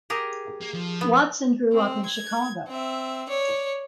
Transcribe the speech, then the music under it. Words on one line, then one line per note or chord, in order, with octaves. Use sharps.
Watson grew up in Chicago.
G4 G#4 A#4
A#3
F3
B3
C4
G#6
C4 E5
C#5 D5